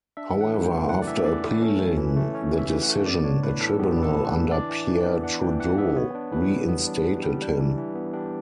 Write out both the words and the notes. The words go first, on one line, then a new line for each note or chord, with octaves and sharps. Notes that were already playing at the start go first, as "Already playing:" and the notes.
However, after appealing the decision, a tribunal under Pierre Trudeau reinstated him.
D4 E5
E3
F#5
E3
G5
A3
D4 F#5
D5
E3 E5
E3 D5
A3 B4
C#4 A4
E3
E3 B4
A3
C#4 C#5
E3
E5
E3
F#5
A3
B3 D5
D4 C#5
A2 B4
E3 A4
B3 G4
D4
A4
A2
B4
E3
D4 D5
E3
E3
B3
D4 F#5
E3 G5
E3 F#5
B3 E5
B3 C#5
D4
E3 B4
G3
B3
D4
E3
G3
D4
E3
E3
B3
D4 G4